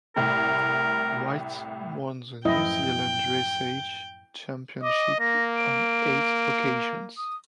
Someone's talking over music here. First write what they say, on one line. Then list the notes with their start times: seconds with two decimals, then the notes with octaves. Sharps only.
White won the New Zealand dressage championship on eight occasions.
0.16 C2 A2 A#4
2.45 F#2 A2 F3 E4 D#5 G5
4.83 D#5 D6
5.19 A#3 A#6
5.56 D7
7.17 D#6